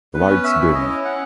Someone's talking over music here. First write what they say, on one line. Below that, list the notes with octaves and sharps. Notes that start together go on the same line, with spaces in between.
The lights dim.
B3 B4
C#4
E5
E4
C#4 D#5
E4
F#5